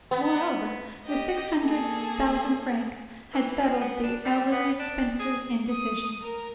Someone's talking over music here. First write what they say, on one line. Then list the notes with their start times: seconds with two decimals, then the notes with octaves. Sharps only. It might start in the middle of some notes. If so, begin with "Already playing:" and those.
Moreover, the six hundred thousand francs had settled the elderly spinster's indecision.
0.11 B3
1.06 G4 D#5
1.59 A#3 G#4 A4
3.33 E3
3.60 F3
3.81 B3
4.03 D4
4.25 G3
4.52 B3
4.79 D4
5.19 G#4
5.69 D#6
6.21 A#4